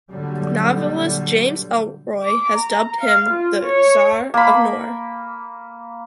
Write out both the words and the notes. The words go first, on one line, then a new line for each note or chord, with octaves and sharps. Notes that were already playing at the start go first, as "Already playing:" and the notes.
Novelist James Ellroy has dubbed him "The Czar of Noir".
A#2 D3 F#3 G3
D6
A#5
F5
F4
C#5
A#3 B5